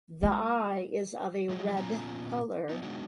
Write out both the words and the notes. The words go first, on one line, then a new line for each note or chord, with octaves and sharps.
The eye is of a red color.
G#3 F4
F3 F#3 G#3
A#2 B3 C#4 F4 G#5 A#5
B3 C4 D#4
F#3 G#3 B3 D4 D#4 F#4